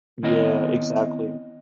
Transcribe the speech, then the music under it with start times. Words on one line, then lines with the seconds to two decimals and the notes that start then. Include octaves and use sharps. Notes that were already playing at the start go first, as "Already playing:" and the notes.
Yeah, exactly.
0.23 D#3 B3 C4 E4 C#5 D#5